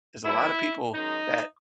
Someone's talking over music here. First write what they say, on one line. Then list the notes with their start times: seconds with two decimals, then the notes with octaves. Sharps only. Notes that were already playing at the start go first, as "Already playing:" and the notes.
There's a lotta people that
0.25 B2 F#3 E4
0.94 F#2 D#3 G#3 D#4